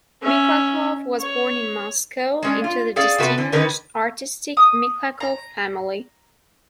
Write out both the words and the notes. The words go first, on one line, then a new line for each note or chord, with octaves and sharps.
Mikhalkov was born in Moscow into the distinguished, artistic Mikhalkov family.
C#4 E5
C#5
G#3 C#4 D4
F4
C#4 G#4 A4 D5 F5
C3 B3 F#4 A4 B4
D3 E3
D3 D#3 C#4 A#4 B4
D#6
A#5